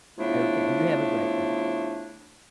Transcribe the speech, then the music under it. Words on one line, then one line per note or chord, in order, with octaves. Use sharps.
okay, you have a great one.
C#3 F3 A3 B3 D4 E4